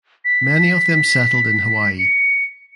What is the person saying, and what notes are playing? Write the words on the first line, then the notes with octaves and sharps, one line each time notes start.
Many of them settled in Hawaii.
B6
C#7